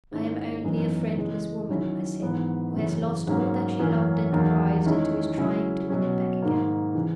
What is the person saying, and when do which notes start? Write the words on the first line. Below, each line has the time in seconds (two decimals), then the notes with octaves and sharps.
"I am only a friendless woman," I said, "who has lost all that she loved and prized, and who is trying to win it back again."
0.11 G#2 D#3 G#3 C#4 E4
0.64 F#2 E3 B3 D#4
1.17 C#3 E3 G#3
1.69 D#3 F#3 C#4 E4
2.22 G#2 E3 B3
2.75 F#2 C#3 E3
3.27 G#2 F#3 A#3 C#4
3.79 F#2 E3 A#3 C#4
4.32 E2 D#3 F#3 A#3
4.85 D#3 G#3 C#4 E4
5.37 C#3 F#3 C#4 E4
5.90 B2 F#3 C#4
6.42 G#2 D#3 A#3
6.95 C#3 E3